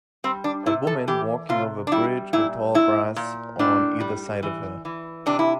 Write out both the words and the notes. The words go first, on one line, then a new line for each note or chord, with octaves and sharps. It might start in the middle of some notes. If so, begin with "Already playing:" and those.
A woman walking over a bridge with tall grass on either side of her.
G3 C4
D4
C3 E4
A4
E3 G4
C3 F4
D4
G3 E4
A#2 E4
A#2 E4
A#2
A2 D4
G3
E3
E3
C3 D4
E4